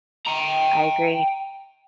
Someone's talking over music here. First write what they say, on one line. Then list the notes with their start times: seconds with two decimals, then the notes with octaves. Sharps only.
I agree.
0.27 G5 A#5